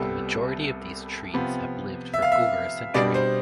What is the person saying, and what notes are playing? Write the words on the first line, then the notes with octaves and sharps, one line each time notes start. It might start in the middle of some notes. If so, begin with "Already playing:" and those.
A majority of these trees have lived for over a century.
Already playing: C2 C3 G3 B3 A4
C3 F3 B3
E5
F5
E5
B2 G3 D4 D5
C5